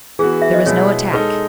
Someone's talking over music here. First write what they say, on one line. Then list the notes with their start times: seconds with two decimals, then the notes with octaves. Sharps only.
There was no attack.
0.19 E3 B3 F#4 G#4
0.42 E5
0.54 D#5
0.66 B2 G#3 B3 E4 C#5
1.13 G#3 D#4 A4 B4